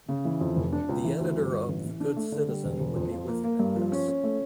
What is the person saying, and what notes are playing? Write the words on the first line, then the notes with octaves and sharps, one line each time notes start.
The editor of "The Good Citizen" would be with him in this.
C#3
E3
F2
F1
D4
C#2
E3
D2
G1
G1
A1
E3
D4
A3
D3
G3
E1
E1
F2
F3
A#3
A#3
G2
F3
C#4
C#4
A3